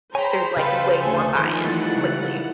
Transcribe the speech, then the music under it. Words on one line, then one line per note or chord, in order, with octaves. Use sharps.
there's, like, way more buy-in, quickly.
G#4 C5 C#5 G5 G#5 A#5 B5
C#3 A4 B4 F5 G5
D2 A4 G#5
D#3 F3 A3 A4 C5 G#5
E3 G3 G#3 A#3 F#5 A6
C#3